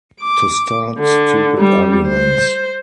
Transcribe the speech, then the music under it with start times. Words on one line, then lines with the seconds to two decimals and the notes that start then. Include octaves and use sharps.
To start stupid arguments.
0.21 D6
0.99 D3
1.58 G3
2.08 C5